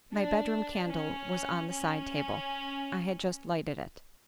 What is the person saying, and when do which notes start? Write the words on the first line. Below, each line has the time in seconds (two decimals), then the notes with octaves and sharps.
My bedroom candle was on the side-table; I had just lighted it.
0.13 D4
0.91 C#4
1.70 C#4